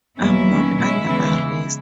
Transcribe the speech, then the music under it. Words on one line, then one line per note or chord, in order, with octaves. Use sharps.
I'm not under arrest.
E2 B2 F#3 A#3 C#4 E4
D#3 F#3 C#4
B2 G#3 C#4 E4
E2 C#3 E3 G#3 E4